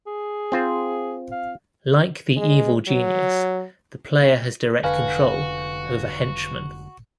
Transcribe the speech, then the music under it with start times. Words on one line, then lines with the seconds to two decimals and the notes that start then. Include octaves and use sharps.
Like the Evil Genius, the player has direct control over "Henchmen".
0.07 G#4
0.52 C4 F4 C5
1.31 F5
2.37 G#3
2.88 F#3
4.84 F1 D3 F#4 B4 F5 G#5